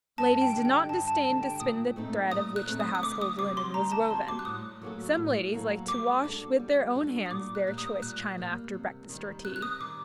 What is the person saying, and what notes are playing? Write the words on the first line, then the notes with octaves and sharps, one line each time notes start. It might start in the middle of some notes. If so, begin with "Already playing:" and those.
Ladies did not disdain to spin the thread of which the household linen was woven. Some ladies liked to wash with their own hands their choice china after breakfast or tea.
G2 A5
G5
D3 G3
G5
G2 A5
A5
D3 G3 A5
G5
A#2 D#6
A3 C4 D#4 A4
A#2 D#6
F#6
A3 C4 D#4 A4
D#6
D#6
D2 D6
D#6
C3 G3 C4 F#4 D6
C6
D2 A#5
A5
C3 G3 C4 F#4 C6
D6
F#6
A2 D#6
F#3 A#3 F#4 A4
A2
F#3 A#3 F#4 A4
G3 D6
D4 F#4 A4
G3
D4 F#4 A4
D#6
A#2 D6
F#6
G3 A#3
D#6
A#2 F#6
G3 A#3
C3
D#3 G3
C3 F#6
F#6
D#6
D#3 G3 D6